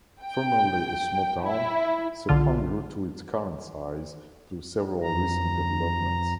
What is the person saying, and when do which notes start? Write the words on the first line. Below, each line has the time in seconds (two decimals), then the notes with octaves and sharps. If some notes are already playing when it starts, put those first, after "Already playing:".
Formerly a small town, Sepang grew to its current size through several recent developments.
0.22 G5
1.42 E4
2.29 B1 D3 F4
5.03 F2 A#5